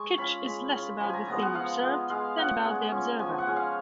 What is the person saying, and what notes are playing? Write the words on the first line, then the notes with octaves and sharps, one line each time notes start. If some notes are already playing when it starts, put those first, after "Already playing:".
Kitsch is less about the thing observed than about the observer.
Already playing: G#3 C#6
C#4 F4 B5
G#3
C#4 F4
F3 B5
G#5 A#5
G#3 B3 F4 A#5
F#5
F3 F5
G#3 B3 F4
G#3 F5
C#4 F4 F#5
G#3
C#4 F4
F3 G#5
F#5
G#3 C#4 F4
F5